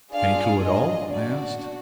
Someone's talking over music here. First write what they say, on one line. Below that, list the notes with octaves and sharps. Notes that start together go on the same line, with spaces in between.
"Any clew at all?" I asked.
D4 F4 G#4 D5 F5
D#5
D4 F#4 D5